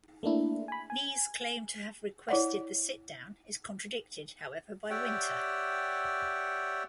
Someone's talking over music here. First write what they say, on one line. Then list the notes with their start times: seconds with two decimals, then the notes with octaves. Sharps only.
Nee's claim to have requested the sit-down is contradicted, however, by Winter.
0.23 A3 A#3 D4 E4
0.68 G#5 B5
0.90 G#5
2.29 E4 C#5 D5 F#5
4.90 G4 C#5 D5 E5 F#5 G5